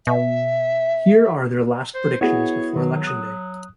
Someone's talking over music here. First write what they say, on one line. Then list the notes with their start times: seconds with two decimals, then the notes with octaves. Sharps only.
Here are their last predictions before election day.
0.07 B2 E5
1.95 C5
2.21 B3 E4 F#4 G#4 C#5
2.76 D#3 F#3
3.04 D#6 F#6